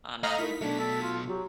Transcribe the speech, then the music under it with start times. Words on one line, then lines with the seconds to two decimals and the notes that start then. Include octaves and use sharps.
on a
0.23 A3 D#5 F5 A#5
0.38 D#4 E4 A#4 B6
0.61 B2 F#3 A3 D4
0.79 A4
1.02 F4
1.27 F#3 F#4 G4